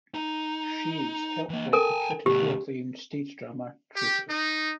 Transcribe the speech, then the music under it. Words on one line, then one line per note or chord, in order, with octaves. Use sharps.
Chaves helped write the critically acclaimed stage drama "Tracers".
D#4
E3 A#3
A4 A#4 G5 G#5
D2 B2 G4
G4
D#4